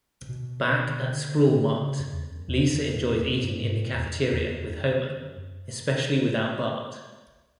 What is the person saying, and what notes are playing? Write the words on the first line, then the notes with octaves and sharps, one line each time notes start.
Back at Sprawl-Mart, Lisa enjoys eating in the cafeteria with Homer, especially without Bart.
B2
D3
C#3
C#3
F#2
E2
F#2
E2
F#2
G2
A2
G2
A2
B2
E2
F#2
F#2
E2
F#2